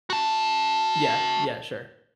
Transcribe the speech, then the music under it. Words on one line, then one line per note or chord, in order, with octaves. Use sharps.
Yeah, yeah, sure.
F#4 A5